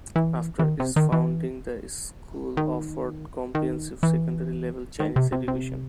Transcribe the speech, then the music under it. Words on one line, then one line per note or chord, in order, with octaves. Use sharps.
After its founding, the school offered comprehensive secondary level Chinese education.
E3
E3
D#3
C3
D#3
E3
D#3
D#3
E3
D#3
C3
C3
C3